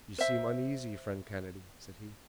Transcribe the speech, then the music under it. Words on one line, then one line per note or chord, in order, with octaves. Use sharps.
"You seem uneasy, friend Kennedy," said he.
C5 E5